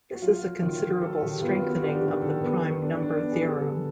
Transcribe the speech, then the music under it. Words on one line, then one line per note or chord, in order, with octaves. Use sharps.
This is a considerable strengthening of the prime number theorem.
F#4
F#3 F4
F#3
D#3 F4
F#3
F#3 A4
D#3 G4
B3 F4
B3 F#4
D4 G4
D#3
D#3 A4
B3
B3
D4
D4
B3
G#4
G3 A4
D3